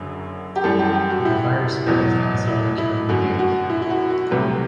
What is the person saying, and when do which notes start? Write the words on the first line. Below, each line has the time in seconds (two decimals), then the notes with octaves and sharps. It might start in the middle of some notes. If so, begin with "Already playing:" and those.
But the fire spreads, accidentally killing the gang leader.
Already playing: F#1 F#2 D3 F#3
0.56 G4
0.64 F#2 E3 G3 A4
0.79 G4
0.94 G4
1.10 F#4
1.25 E4
1.86 E2 B2 F#3
2.48 E4
2.78 E4
3.08 F#2 D3 A3 F#4
3.39 F#4
3.70 E4
3.82 E4
3.90 F#4
4.10 F#4
4.31 C2 C3 F#3 A3 B4